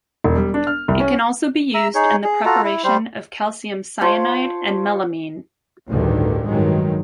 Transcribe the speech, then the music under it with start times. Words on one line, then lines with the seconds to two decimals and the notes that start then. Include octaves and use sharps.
It can also be used in the preparation of calcium cyanide and melamine.
0.24 E1
0.36 G3
0.54 D4
0.67 F6
0.88 C2
1.00 C#4
1.74 E5 A#5 E6
1.95 D#4 G#4 C#5
2.24 G#4
2.45 F4 F#4 A4 A#5
2.63 E4
2.84 G3 C5
4.01 F4 C5 C#5 A5
5.89 A1 D2 G2 D3 D#3
6.49 G2 D#3 F#3 G#3